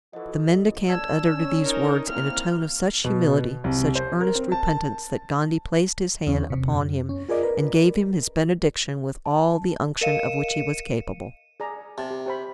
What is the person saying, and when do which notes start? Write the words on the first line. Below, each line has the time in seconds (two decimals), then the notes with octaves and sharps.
The mendicant uttered these words in a tone of such humility, such earnest repentance, that Gondy placed his hand upon him and gave him his benediction with all the unction of which he was capable.
0.13 E3 F3 F#4 A4 D#5
0.48 A1
0.90 D5 A5 E6 G#6
1.31 C#4
1.65 D#4 A#4
2.09 A#3 C4 E4 F6
3.04 B2
3.64 C2
3.95 C5
4.20 A#4
4.35 C4
4.52 A5
6.27 E2 C#4
6.50 C3
6.72 F#2
7.09 C#4
7.29 F4 G#4 A#4 D5 D#5
7.43 A#4 B4
9.26 A5
10.01 A#4 D#5 F5 C#7 D#7 E7
11.60 G#4 D5 A#5
11.98 C3 A5
12.11 G4
12.26 G4 C5 B5